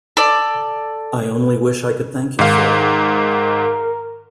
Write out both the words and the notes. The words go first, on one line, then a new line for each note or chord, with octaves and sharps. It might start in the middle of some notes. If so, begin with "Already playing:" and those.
I only wish I could thank you for it.
A4 D5
G#2 D#3 A#4 F5